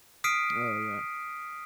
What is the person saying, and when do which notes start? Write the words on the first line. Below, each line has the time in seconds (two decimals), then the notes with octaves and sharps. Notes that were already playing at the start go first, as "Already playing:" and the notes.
Oh, yeah.
0.24 D#6 F6 B6 C7 D7 D#7